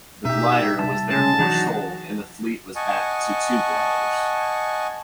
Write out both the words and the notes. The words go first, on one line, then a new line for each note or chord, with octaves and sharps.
The glider was therefore sold and the fleet was back to two gliders.
B2 D#4 G4 E5
C3 G3 A5
C#3 G#3 A5
E3 F#3 D4 D#4 F#4
D#5 F#5 G#5 A5 C#6